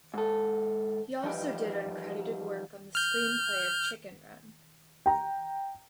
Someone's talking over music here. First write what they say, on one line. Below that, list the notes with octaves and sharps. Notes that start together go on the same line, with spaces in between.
He also did uncredited work on the screenplay of "Chicken Run".
G#2 A4
E3 F3 G3 D#4 G4 B4
F6 G6
G5 A#5